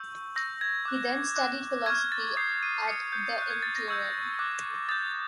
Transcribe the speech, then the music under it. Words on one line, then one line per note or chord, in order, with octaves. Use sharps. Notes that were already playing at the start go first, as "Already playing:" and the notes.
He then studied philosophy at the in Turin.
Already playing: C#6 E6 G6
C#6 E6 G6 A#6
G#6
D6 F#6
D6 F#6
C#6 F6 G#6
A6
D#6 G6 C7
D#7
D#6 G6 C#7
G6
C#6 F#6 G6
G#6
A6
A#6
C#6 E6 G6 G#6
D6 F#6
D#6 G6 A6